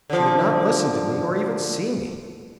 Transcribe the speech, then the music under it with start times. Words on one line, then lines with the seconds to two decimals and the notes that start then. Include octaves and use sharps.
She would not listen to me, or even see me.
0.10 D3 F3